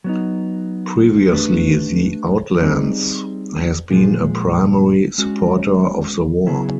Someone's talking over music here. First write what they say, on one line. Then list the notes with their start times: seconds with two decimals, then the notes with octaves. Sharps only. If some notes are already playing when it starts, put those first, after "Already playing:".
Previously the Outlands has been a primary supporter of the war.
0.04 F#3 B3 D#4
1.33 A3 D4 G4 B4
2.61 G3 C4 D#4 G#4
3.90 A#2 F3 G#3
5.18 G#3 C#4 F#4
6.47 C#3 F#3 B3 E4 G#4